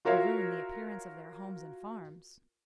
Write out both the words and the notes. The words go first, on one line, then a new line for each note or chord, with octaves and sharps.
"And ruin the appearance of their homes and farms."
F4 F#4 A#4 C#5 E5 F5